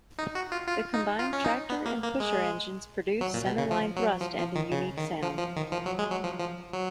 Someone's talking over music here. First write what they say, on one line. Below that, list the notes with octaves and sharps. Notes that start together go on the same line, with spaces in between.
The combined tractor and pusher engines produce centerline thrust and a unique sound.
D#4
F#4
F4
F4
D#4
F4
C#4
D#4
B3
A#3
A#3
G#3
F#3
A#2
B2
C#3
F3
F#3
F3
F3
D#3
C#3
D#3
F3
F3
D#3
F3
F#3
G#3
F#3
F3
F3
F#3